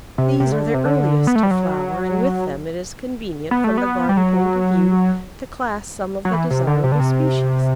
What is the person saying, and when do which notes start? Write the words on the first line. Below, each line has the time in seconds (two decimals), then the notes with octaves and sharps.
These are the earliest to flower, and with them it is convenient, from the garden point of view, to class some of the desirable species.
0.18 C3
0.40 C3
0.52 D3
0.74 C3
0.85 D3
1.27 B3
1.36 A3
1.43 G3
1.51 F#3
3.51 B3
3.64 A3
3.78 B3
4.09 G3
4.17 F#3
6.25 F#3
6.33 E3
6.51 C3
6.67 D3
6.84 C3
6.92 D3
7.00 C3